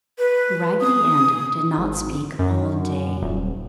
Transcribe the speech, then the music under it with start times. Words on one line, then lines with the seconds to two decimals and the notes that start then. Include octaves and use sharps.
Raggedy Andy did not speak all day.
0.18 B4
0.81 D#6
1.78 G#1
2.39 F#2
3.22 D#1